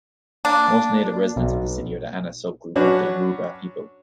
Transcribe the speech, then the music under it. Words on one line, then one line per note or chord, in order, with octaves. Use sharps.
Most native residents of the city are the Ana subgroup of the Yoruba people.
A#3 D4
B1
F#3 C#4 D4 F#4 B4